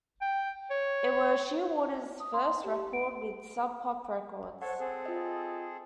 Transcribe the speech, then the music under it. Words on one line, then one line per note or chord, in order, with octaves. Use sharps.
It was Shearwater's first record with Sub Pop Records.
G5
C#5
D#6
C6
G4
D7
A4 C5 C#5 F#5
C4 G#4 A4
F4 D#5